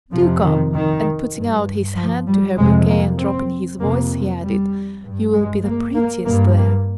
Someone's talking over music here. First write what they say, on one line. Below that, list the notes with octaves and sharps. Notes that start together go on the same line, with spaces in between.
Do come!" and putting out his hand to her bouquet and dropping his voice, he added, "You will be the prettiest there.
F2 C3 F3
D#3
D#3
G2
F3
G3
F2 C3 G#3
A#3
C4
F2 C3 A#3
G3
G2
G#3
A#3
A#3
G2 A#3
A#3